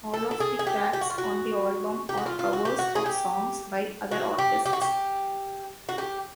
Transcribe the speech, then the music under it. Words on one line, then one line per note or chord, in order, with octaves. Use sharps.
All of the tracks on the album are covers of songs by other artists.
A4
A4
G#4
G#4
G4
G4
F#4
F4
F#4
G4
F#4
F4
F4
F#4
G4
F#4
G#4
G4
F#4
G4
G4
F#4
G4
F#4
G4